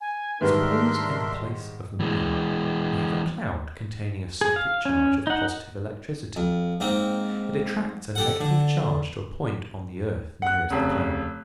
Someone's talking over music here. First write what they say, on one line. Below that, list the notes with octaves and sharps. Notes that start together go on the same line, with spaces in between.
Suppose in the place of the moon we have a cloud containing a static charge of positive electricity--it attracts a negative charge to a point on the earth nearest the cloud.
G#5
G#2 D#3 G3 D4 A#4 B4 E5 C6
E3 G#3
G#4
F5
C#4
D#4 F#5
F2
G#2 A#3 C4
G4 A4 F#5
D3
F#5 F#6
F1 C#3